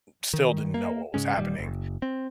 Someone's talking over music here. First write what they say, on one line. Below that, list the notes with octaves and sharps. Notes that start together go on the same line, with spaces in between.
still didn't know what was happening.
D#3
A#3
G#2 C#3 G#3 C#4
D#1 D#2 G3
F#1
C4